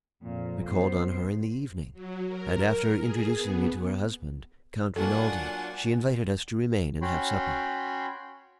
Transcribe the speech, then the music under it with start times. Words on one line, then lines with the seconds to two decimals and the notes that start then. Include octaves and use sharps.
We called on her in the evening, and, after introducing me to her husband, Count Rinaldi, she invited us to remain and have supper.
0.23 F2 A#2
0.66 B3 C5
1.93 F#3
2.28 A#4
2.98 G#4
3.36 B3
4.96 F#3 A#3 D4 F4 A4 D5 F#5 G#5
7.02 C#4 F#4 C#5 G5 B5 C6